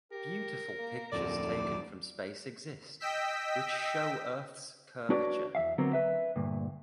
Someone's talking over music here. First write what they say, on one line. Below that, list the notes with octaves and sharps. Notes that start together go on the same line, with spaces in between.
Beautiful pictures taken from space exist, which show Earth’s curvature.
G4 A#4
A#3
D1 F2 F3 A4 D5
D6
D#5 G5 E6 B6
D4 F#4 B4 C#5 D5
E2 E5 F5
D3 F#3 B3 C4 A#4
B4 E5
D2 G2 A#2